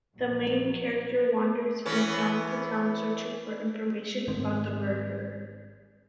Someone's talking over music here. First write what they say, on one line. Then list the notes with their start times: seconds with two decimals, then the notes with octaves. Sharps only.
The main character wanders from town to town searching for information about the murderer.
0.14 A#1 F#3
1.86 E3 B3 C#4
4.27 G#1 D#3 G#3 C4